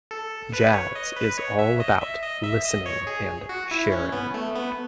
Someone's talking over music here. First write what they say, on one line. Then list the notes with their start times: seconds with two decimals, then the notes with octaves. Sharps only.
Jazz is all about listening and sharing.
0.11 A4
0.53 B4
0.74 C#5
0.95 D#5
1.16 B4
1.38 C#5
1.59 E5
1.80 D#5
2.01 E5
2.23 D#5
2.43 E5
2.65 D#5
2.86 C#5
3.07 G#4
3.49 F#4
3.71 E4
3.92 C#4
4.12 B3
4.34 A3
4.55 B3